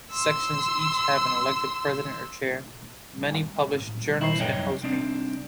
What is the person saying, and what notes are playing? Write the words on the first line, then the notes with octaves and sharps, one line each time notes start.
Sections each have an elected president or chair; many publish journals and host meetings.
C6 E6
E4 C5
C2 F#2 D#4 C#5 G5
C2 C4 D4 D#4